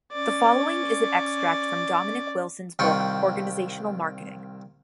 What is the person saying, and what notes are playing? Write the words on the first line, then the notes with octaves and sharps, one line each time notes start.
The following is an extract from Dominic Wilson's book "Organizational Marketing".
C#4 D5
C2 D#3 F4 G5 C#6